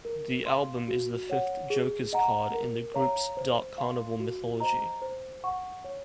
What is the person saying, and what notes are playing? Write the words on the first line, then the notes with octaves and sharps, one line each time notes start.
The album is the fifth Joker's Card in the group's Dark Carnival mythology.
A#4
F5 C6
F#4
C#5 F#5
G#4
D#5 F#5 A#5
A#4
C#5 F5 A#5
C5
F5 C6
F#4
C5 D#5 A#5
C5
F#5 C#6
C#5